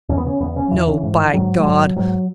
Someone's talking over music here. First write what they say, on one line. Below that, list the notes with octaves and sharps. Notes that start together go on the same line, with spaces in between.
No, by God!
E2 C#4
B3
C#3 C#4
E2 B3
C#3 C#4
E2 E3
C#3
G#2
G#2 F#3
G#3
G#2 F#3
G#2 F#3